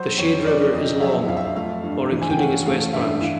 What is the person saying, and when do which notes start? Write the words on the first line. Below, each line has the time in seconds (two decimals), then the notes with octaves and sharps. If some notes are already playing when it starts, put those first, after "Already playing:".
The Shade River is long, or including its west branch.
Already playing: F#3 C5
0.18 F2 C#5
0.45 D3 D5
0.73 F2 D#5
1.00 F#3 E5
1.28 F2 F5
1.37 E5
1.45 F5
1.55 A3 F5
1.83 G2
2.11 E3
2.22 G#5
2.30 G5
2.38 C#4 F#5
2.66 A3 F5
2.93 G2 E5
3.21 E3 F5